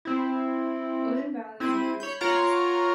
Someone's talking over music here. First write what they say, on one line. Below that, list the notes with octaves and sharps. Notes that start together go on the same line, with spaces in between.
Odin Valley is immediately to the east.
C4 E4
C4 E4 D#7
C#5 B5 G6
F4 A#4 C#5 F#5 A#5 F6